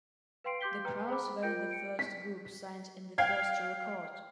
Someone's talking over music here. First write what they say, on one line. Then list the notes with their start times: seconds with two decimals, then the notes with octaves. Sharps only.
The Crows were the first group signed and the first to record.
0.44 B4 F5 G5 C6 C7 D7
0.61 G4 C6 D6 G6 B6 G7
0.85 B4 G5 A#5
1.08 G#4 C5 B5 D6
1.42 F4 A#4 G5 G6 D7
1.71 C#7 D7
1.99 B6
3.18 F5 G5 G#6